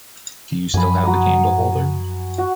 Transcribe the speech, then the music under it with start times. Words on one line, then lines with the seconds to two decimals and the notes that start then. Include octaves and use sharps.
Do you still have the candle holder?
0.74 F#2 F3 G#5 B5
1.03 F#4 A#5 D#6
2.38 F#4